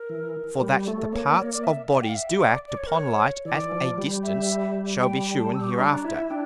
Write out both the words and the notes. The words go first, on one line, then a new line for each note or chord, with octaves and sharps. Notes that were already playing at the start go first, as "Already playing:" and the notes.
For that the parts of Bodies do act upon Light at a distance shall be shewn hereafter.
Already playing: A#4
E3
G3
A3
A#3 C#5
A#3 D5
C#5
D5
E5
D5
G5
F5
E5
D5
D5
C#5
A#4
C#5
E3 D5
F3
G3
E5
G5
A5
E6
D6
C#6
D4 A#5
E4 E5
D4 G5